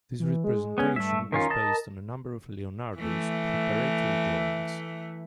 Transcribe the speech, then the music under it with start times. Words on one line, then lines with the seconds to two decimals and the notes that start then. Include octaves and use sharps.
This representation was based on a number of Leonardo's preparatory drawings.
0.20 E3
0.44 G#3
0.78 B3 C#4
0.96 G2 A3 E5
1.32 D#3 C#4 F4 A#4
1.50 D#5 A5
2.98 E3 A3